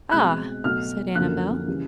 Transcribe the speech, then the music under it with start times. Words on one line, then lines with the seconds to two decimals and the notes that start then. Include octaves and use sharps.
"Ah!..." said Annabel.
0.11 B2 G#3 C4 F#6
0.64 B2 F#3 A3 F6
1.15 F#2 D3 F3 A#3 F#6
1.67 C#3 E3 G3